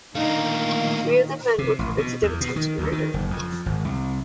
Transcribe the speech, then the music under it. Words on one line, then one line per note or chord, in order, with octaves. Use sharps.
Three of the men were convicted of attempted murder.
A#2 D3 D#3 A3 A#3 D#4 F5
C3
A1
B2
E2
B2
D#3
D2
D#3
F#1
F2
G#1
C2